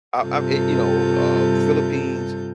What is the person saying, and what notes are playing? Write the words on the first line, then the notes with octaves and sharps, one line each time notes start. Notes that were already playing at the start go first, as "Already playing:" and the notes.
I, um and you know, uh, Philippines-
G2 C3 G3 F4 A4 G6